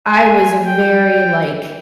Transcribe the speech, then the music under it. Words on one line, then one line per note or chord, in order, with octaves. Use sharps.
I was very, like,
G#5
G5